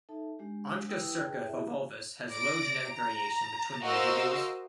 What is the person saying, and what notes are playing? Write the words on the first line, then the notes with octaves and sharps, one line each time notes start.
"Onchocerca volvulus" has low genetic variation between individuals.
D#4 A4 E5 A5
G#3 D4 G4
E4 G4 B4 G5 D#6 E6
G4 G#4 B4 D5 G5 A5
C4 E4 G4 G#4 D5 E5
D5 A#6 D7
A#5
F#4 A#4 C5 D#5 F5 E6